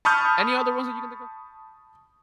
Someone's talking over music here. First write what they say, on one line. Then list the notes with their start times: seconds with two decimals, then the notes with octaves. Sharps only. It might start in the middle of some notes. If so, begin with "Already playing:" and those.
any other ones that you can think of?
0.05 A5 B5 C#6 D#6 F6 G6